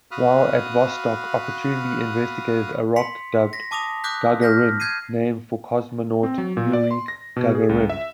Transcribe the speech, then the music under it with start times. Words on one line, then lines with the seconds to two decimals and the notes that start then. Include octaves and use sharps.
While at Vostok, Opportunity investigated a rock dubbed "Gagarin", named for cosmonaut Yuri Gagarin.
0.11 F#4 F5 B5 D#6 F6 F#6
2.96 C6 B6 C#7 F7
3.53 A#6 B6
3.71 A5 D6 D#6 A#6 F7
4.04 D6 D#6 F#6 G6 B6
4.41 F6 G6 A#6 B6
4.80 G6 G#6 C7 D#7
6.23 C4
6.38 F#3
6.57 A#2
6.73 D5
6.91 C6
7.08 A#6
7.36 B2
7.55 G#4
7.69 C#2
7.89 E5